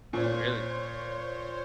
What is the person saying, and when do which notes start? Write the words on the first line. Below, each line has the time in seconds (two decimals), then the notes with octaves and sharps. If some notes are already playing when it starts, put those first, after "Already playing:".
Oh, really?
0.13 A#2 C5 C#5